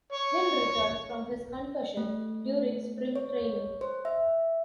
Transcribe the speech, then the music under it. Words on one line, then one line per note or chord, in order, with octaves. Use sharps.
Hill returned from his concussion during spring training.
C#5
A3
C#5
C5
E5